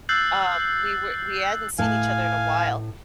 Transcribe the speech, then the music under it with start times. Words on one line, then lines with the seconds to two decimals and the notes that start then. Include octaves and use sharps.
Um, we were we hadn't seen each other in a while,
0.09 E6 F#6 G6 A6 C7 F#7
1.79 A2 B4 F5 G#5 A5